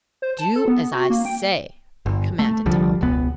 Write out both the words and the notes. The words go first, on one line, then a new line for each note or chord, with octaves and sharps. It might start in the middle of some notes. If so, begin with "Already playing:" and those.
"Do as I say!" commanded Tom.
C5
A5
A4
B3
F#4
A#3
G5
G1
A3
C2 D3 F3 G3
E1 C#2 B3